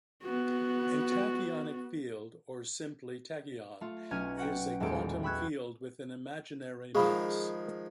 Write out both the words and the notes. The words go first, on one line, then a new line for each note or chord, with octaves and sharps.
A tachyonic field, or simply tachyon, is a quantum field with an imaginary mass.
B3 F#4
A3 F4
B1 C#4 F6 G#6 D#7
F#4 F#5 G5
D#1 E2 G#3 A4 D7
G5 B5 C#6 E6 F#6 G#6
D#3 F3 G#3 G#4 F5 B5